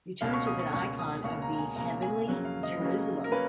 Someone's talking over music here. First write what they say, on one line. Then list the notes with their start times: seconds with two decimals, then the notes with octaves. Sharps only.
The Church is an icon of the heavenly Jerusalem.
0.21 C#2 B2 A#3 C#4 F5
0.33 C#6
0.47 D#6
0.59 C#6
0.73 C#2 B2 A#3 C#4 C#6
0.99 D#6
1.24 C#2 B2 A#3 C#4 C#6
1.42 A#5
1.53 A#5
1.58 G#5
1.76 C#2 B2 A#3 C#4 A#5
2.02 G#5
2.28 F2 C#3 F#3 A#3 C#4
2.45 F5
2.63 D#5
2.80 F2 C#3 F#3 A#3 C#4
3.24 A#4
3.32 A#3 C#4 B4